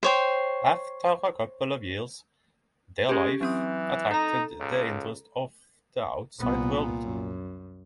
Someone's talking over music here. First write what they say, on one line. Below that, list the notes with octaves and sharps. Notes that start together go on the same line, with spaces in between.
After a couple of years, their life attracted the interest of the outside world.
C5 C#5 G5
G#3 C#4 G4
E3 F#3 C4 D#6
D#4 A4 A#5
C#2
C2 A#2 B3
F#2